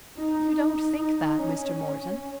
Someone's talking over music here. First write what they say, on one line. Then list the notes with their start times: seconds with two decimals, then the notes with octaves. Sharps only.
"You don't think that, Mr. Morton."
0.17 D#4
0.48 D#4
1.38 C#4